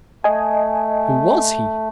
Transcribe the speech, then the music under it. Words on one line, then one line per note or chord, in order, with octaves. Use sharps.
Who was he?
A3 D#5 G#5